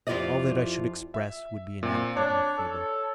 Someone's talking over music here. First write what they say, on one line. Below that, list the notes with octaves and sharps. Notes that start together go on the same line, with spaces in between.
All that I should express would be inadequate and feeble.
F2 E4 F4 G4 D5 D#5
E5
A#2 C4
D4 C#5
A4